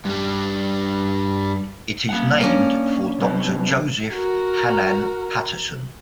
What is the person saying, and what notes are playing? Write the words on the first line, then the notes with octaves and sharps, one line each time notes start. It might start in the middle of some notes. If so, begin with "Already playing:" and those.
It is named for Doctor Joseph Hanan Patterson.
G2 G3
A#3 F#5
C#4 D4 A#4
C3 F#3 B3
F#4 A#4